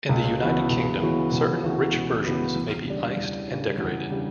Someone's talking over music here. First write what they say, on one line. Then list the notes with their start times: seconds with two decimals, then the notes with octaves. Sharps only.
In the United Kingdom, certain rich versions may be iced and decorated.
0.09 C#2
0.40 C#3 E3 B3 F#4
0.71 C#2
1.02 C#3 E3 B3 F#4
1.32 C#2
1.63 C#3 E3 B3 F#4
1.94 C#2
2.25 C#3 E3 B3 F#4
2.55 E2
2.86 C#3 G3 D4
3.17 E2
3.48 C#3 G3 D4
3.78 E2
4.10 C#3 G3 D4